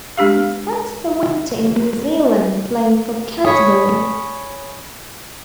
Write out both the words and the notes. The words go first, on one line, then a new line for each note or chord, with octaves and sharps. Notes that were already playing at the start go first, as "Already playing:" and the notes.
He spent the winter in New Zealand playing for Canterbury.
G#3 D4 G4 F5
G#4 C#5 B5 C#6